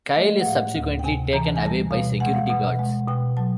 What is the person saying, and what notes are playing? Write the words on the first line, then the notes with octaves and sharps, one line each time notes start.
Kyle is subsequently taken away by security guards.
A3 D#5
F#5
A2 F5
D2
G5
C3 G#5
E3 A#5
A5
G#5
G3 A5
B2 F5
G#3 F#5
F5
B2 F#5
G#3
B2 G5
F#3 A5